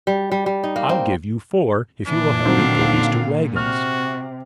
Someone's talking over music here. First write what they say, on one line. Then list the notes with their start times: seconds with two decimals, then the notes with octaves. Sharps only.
"I'll give you four if you will help me pull these two wagons."
0.07 G3
0.32 G3
0.46 G3
0.64 D#4
0.76 A#3
0.89 C4
2.07 A#2 E3 D4
2.45 D3 D#3 F#3 C4 F5
3.56 C3 F#4 F6